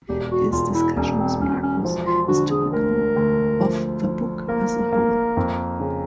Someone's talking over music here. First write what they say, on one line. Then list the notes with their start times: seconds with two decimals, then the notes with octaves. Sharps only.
His discussion with Marcus is typical of the book as a whole.
0.09 E1 G4
0.31 F#4
0.52 E1 F4
0.74 E4
0.96 E1 C#4
1.19 C4
1.41 E1 C#4
1.63 C#4
1.84 F3
2.06 F4
2.28 D3 F#4
2.50 G#4
2.72 D2 A#4
3.16 D2
3.60 F3
4.04 F3
4.48 A#3 A#4
4.93 A#3
5.37 F2
5.80 C#3